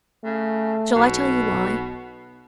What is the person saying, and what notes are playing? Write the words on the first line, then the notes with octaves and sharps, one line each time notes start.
Shall I tell you why?
C#3 A3
B1 B2